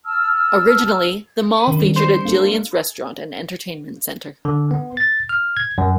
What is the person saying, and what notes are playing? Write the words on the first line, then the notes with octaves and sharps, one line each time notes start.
Originally, the mall featured a Jillian's restaurant and entertainment center.
A5 E6 F6
D#3 C#4 D4
G3 A3 C4
C5
A#3 D4 A4
D3
B3
A6
F6
G#6
F#2